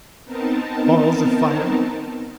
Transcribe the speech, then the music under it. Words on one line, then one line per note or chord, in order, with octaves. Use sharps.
Balls of fire?
B3 C4 D#4 A#4 A5